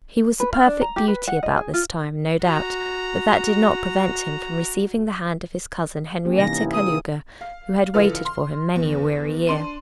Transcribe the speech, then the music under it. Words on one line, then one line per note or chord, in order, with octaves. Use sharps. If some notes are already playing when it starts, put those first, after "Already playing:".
He was a perfect beauty about this time, no doubt, but that did not prevent him from receiving the hand of his cousin Henrietta Kalouga, who had waited for him many a weary year.
B4
F5
D4
A#5
G4
B4
F#5
D#5
G#4
F4
F#4 A#5
A#3 C#4 G4
C3 E3 D#4 A#6
E4
D#6
G#4
F5
C#2 E3 F4 A4 B4 F6
C6
E2
D4 C6 D#7